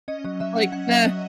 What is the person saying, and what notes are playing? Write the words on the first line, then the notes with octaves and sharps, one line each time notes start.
Like the
C#4 D#5
F#3 D#5
F#3 E5
C#4 F#5
C#4 F#5
F#3 E5
F#3 D#5